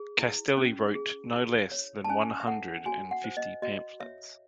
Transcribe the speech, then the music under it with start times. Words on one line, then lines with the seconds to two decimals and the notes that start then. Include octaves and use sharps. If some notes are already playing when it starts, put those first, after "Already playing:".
Castelli wrote no less than one hundred and fifty pamphlets.
Already playing: G#4
0.19 E4
0.57 C#4
0.95 G#4
1.33 E4
1.72 C#5
2.04 A5
2.09 C#4 G#5
2.40 E5
2.47 A4 F#5
2.85 F#4 G#5
3.11 F#5
3.24 C5
3.37 D#5
3.62 F#4 D#5
4.00 C#5 E5